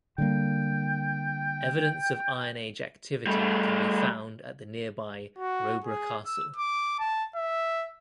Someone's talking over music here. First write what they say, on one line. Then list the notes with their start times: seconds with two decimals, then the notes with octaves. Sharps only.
Evidence of Iron Age activity can be found at the nearby Roborough Castle.
0.18 D3 G3 A#3 G5
3.27 G3 A3
5.39 F#4
5.84 G#4
6.26 E6
6.56 D6
6.99 A5
7.36 E5